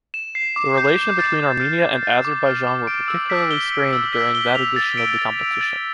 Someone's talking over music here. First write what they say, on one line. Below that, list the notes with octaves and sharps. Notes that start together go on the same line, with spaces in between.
The relation between Armenia and Azerbaijan were particularly strained during that edition of the competition.
E7
C7
D6
G6
E7
A6
D6
F6
D6
A6
D6
F6
D6
D7
E6
B6
G7
D7
E6
B6
G7
F7
A6
D7
A6
F7
A6